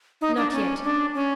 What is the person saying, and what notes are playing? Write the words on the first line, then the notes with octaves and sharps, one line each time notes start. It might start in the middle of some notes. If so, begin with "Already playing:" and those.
"Not yet."
D#4
D4
C#4
D4
C#4